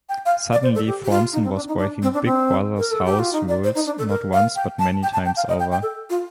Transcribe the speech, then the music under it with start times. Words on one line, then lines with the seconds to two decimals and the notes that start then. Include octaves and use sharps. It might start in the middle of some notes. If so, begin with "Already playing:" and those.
Suddenly, Franzen was breaking Big Brother's house rules, not once, but many times over.
0.09 G5
0.25 F5
0.52 D5
0.63 C5
0.75 A4
0.87 G4
1.04 G4
1.10 F4
1.33 D#4
1.44 C4
1.55 D4
1.68 D#4
1.78 D4
2.02 C4
2.14 D4
2.25 C4
2.78 A#4
2.91 A4
3.05 G4
3.19 F4
3.33 D#4
3.48 D5
3.64 C5
3.75 D#4
3.86 D4
3.98 A4
4.09 A#4
4.33 F5
4.55 G5
4.79 A5
5.03 G5
5.13 A5
5.25 G5
5.36 F5
5.48 D#5
5.59 G5
5.72 G5
5.83 A4
6.10 F4